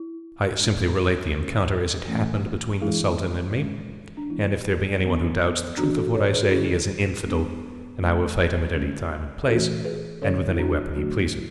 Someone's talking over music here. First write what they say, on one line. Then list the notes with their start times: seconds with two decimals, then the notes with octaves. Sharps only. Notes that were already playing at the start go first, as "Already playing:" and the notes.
I simply relate the encounter as it happened between the Sultan and me; and if there be any one who doubts the truth of what I say, he is an infidel, and I will fight him at any time and place, and with any weapon he pleases.
Already playing: E4
0.59 G#3 D4
1.33 D3 G#3 C#4
2.07 E3 A3 C#4
2.82 E3 G#3 D4 E4 G#4
3.55 G#3 C#4
4.17 D4
4.29 E3 G#3 B3 D4 E4
5.04 E3 B3 D4
5.78 E3 B3 D4 F#4
5.97 F#4 A4
6.14 A4 C#5
6.33 G#4 B4
6.42 F#4
6.51 D3 F#3 C#4 E4 G#4
7.25 G#3 B3 D4
8.00 F#3 A3 C#4
8.73 D3 G#3 C#4
9.47 E3 A3 C#4 F#4 A4
9.84 G#4 B4
10.22 D3 F#3 C#4 A4 C#5
10.50 E4
10.58 D4 F#4
10.95 D3 F#3 A3 D4 F#4
11.33 E4